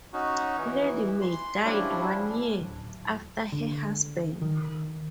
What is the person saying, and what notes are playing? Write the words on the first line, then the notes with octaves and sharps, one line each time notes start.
Lady May died one year after her husband.
C#4 D#4 F#4
E3
C6
F3 G3 C#4 D4 E4
D1
D3
D#3